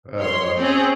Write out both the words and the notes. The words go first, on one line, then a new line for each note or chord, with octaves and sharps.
Oh, that's awesome.
C#5 C6
C4 C#4 G#4